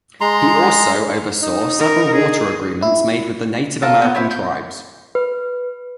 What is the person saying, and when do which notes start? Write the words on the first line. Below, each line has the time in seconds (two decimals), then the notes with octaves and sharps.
He also oversaw several water agreements made with Native American tribes.
0.21 G#3 A#5 C6
1.43 D#4
1.79 A#4
2.15 G#4
2.82 E4
3.82 F4 A4 A#4 A5
4.01 B3 C5
4.15 C4 E4 C#5
4.31 G6
5.15 B4